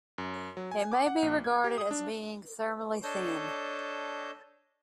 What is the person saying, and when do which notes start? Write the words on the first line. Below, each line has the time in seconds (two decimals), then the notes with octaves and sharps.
It may be regarded as being "thermally thin".
0.18 F#2
0.57 F#3
0.71 G#5
0.92 D6
1.06 F#5
1.22 A#1
1.44 G#6
1.64 G4
1.78 D#6
1.91 D4
3.03 D4 A4 C#5 D#5 A5 G6